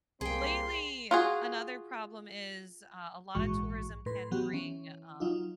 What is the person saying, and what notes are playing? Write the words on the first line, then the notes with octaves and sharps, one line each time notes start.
Lately, another problem is, uh, a lot of tourism can bring, um
C2 G3 A#3 C4 G#4 G5 C6
F4 F#4 G#4
A#1 G#2 E3 G#3 F#4 C#6
A2 B4 C6
E3 F#3 B3 F#4 G4
E3 C#4
F#3 D#4 F4